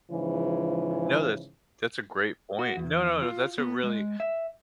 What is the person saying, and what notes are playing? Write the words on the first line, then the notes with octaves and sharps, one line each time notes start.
No, that's that's a great point. No, no, no, that's a really
G#2 C#3 E3 F3
F#4
E2
F4
B3
G#3
E5